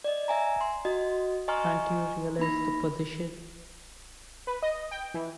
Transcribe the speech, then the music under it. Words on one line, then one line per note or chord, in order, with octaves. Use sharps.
Can't you realize the position?
D5 D#5
E5 G#5 A#5
C6
F#4 D#5
D#5 G#5 A#5 C6 C#6 F6
A#3 D#4 B5 A#6
B4
D#5
G5
E3